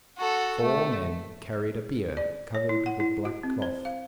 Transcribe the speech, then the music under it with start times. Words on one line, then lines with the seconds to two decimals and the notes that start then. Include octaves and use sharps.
Four men carried a bier, covered with black cloth.
0.18 F#4 A4
0.62 A3
2.17 D5
2.55 C#5
2.69 E4
2.86 F#5
3.00 E4
3.25 F#4
3.43 C4
3.62 C5
3.85 F5